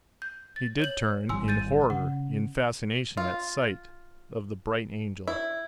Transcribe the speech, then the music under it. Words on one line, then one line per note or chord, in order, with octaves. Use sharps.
He did turn, in horror, in fascination at sight of the Bright Angel.
G6
A6
C#5 G6 F#7
G#1 E3 G3 G#5 C6 E6
G6 A6 D#7
C#3 F#5
F4
E4